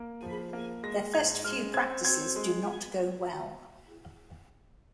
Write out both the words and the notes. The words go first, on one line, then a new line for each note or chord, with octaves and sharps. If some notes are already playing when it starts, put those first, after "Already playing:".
Their first few practices do not go well.
Already playing: A#3
F3
A#3
G#3 A#6
G#2 G#6
G#3 F6
C4 G#6
C4 G#6
G#3